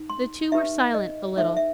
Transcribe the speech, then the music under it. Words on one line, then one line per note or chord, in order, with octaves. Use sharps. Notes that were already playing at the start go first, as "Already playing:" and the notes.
The two were silent a little.
Already playing: D#4
C6
D#4 G4 B4 E5
D#5
D#4 A4 C5 E5
E5